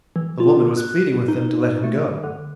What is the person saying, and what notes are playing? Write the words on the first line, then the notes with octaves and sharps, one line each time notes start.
The woman was pleading with them to let him go.
E3
F4
F#6
D#4
A3
D3